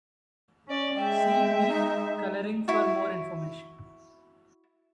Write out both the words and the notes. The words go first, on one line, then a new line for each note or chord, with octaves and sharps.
See weak coloring for more information.
C#4 D5
G#3 E5 G5
D#4
E4 F#4